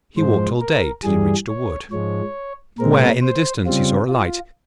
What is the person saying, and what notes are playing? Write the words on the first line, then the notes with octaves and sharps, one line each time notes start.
He walked all day, till he reached a wood, where, in the distance, he saw a light.
G#2 F3 G#3 C5
A#4
G2 E3 G3 G#4
C#5
G#2 F3 G#3 C#5
A#2 G#3 C4 A#4
C5
C#3 G3 C4 F4
F4